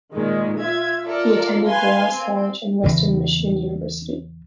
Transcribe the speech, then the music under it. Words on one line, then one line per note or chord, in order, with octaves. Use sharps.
He attended Loras College and Western Michigan University.
A#2 D#3 G#3
F4 E5 G#6
F4 A4 A#4 D5
B4 F5 G#5 C6
C4
E2 C#3 E3